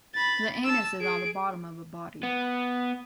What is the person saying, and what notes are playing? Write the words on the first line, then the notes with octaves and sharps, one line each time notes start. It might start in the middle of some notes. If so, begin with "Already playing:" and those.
The anus is on the bottom of a body.
B5 A6
A5 E6
G#4 D7
B3